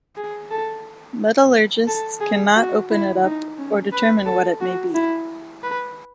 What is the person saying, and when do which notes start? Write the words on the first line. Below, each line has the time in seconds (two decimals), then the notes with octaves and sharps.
Metallurgists cannot open it up or determine what it may be.
0.17 G#4
0.51 A4
1.88 A4
2.21 G#4
2.56 F#4
2.90 E4
3.24 D#4
3.59 C#4
3.93 B4
4.26 A4
4.61 F#4
4.95 E4
5.63 B4